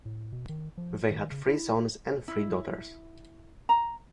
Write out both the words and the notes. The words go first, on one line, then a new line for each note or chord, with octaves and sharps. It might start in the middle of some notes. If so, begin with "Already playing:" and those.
They had three sons and three daughters.
A2
B2
D#3
F3
D#3
C#3
E4
E4
A#5